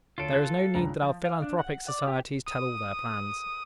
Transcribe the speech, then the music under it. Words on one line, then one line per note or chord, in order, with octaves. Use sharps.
There is no need that our philanthropic societies tell all their plans.
D2 F4 A4 C#5 D7
F#6
C#2 G2 A#5
F3
F5
D4
F#5
D5
G4
D#6